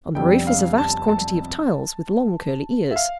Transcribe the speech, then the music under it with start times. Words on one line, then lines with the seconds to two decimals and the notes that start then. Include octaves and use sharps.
On the roof is a vast quantity of tiles with long curly ears.
0.15 F2 C3 G3 B3 D4 G5
0.47 F5
0.78 A5
1.09 A5
2.91 E5
2.96 F5